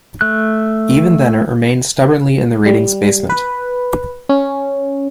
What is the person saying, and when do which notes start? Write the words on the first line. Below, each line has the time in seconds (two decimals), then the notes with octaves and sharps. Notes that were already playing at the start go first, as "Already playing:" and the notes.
Even then, it remained stubbornly in the ratings basement.
0.21 A3 F#6
2.66 G3
3.30 B4
4.29 C#4